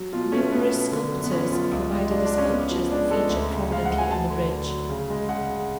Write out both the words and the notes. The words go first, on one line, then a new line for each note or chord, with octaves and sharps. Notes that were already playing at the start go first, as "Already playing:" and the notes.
Numerous sculptors provided the sculptures that feature prominently on the bridge.
Already playing: F#3
B2 F4
A3 C#4
B2 B3
B2
D3
F#2
B3
F3 C#4
F#2 F4
C#2
G#3
G#3 D4
D4
C#2
C#4
B3
F3
G#3 D4
G#3 A4
D2
C#3
G#3 F5
D2 F#5
G#5
F#3 A5
D3
D3
F#3
C#3
G#3
C#3 F#5
C#3